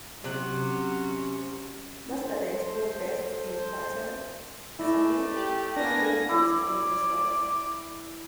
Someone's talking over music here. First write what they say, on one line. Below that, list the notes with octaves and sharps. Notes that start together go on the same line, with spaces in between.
Muscadines grow best in fertile sandy loam and alluvial soils.
C3 F#3 C#4 F#5
A4 C5
A3 E4 D5 A#6
G4
A#3 B3 D4 G#5 A#6
E4 D5